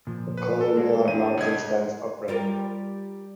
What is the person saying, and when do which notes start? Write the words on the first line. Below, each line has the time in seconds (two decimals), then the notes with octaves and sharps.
The columellar margin stands upright.
0.07 A#2 F3
0.37 B4
0.61 A4
0.77 G#3 A#3
1.07 E2 G3 D4 D#7
1.37 C2 D#5 G#6
2.28 G3 F4 A#4